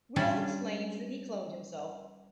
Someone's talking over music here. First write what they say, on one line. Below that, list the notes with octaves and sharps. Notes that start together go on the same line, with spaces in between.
Will explains that he cloned himself.
G3 C#4 D4 G4 D5